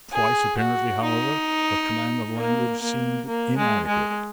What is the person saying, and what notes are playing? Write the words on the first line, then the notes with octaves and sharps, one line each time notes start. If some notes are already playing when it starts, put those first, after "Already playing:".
Twice apparently, however, her command of language seemed inadequate.
G#4
F#4
D#4
A#3
A#3
A#3
G#3
G#3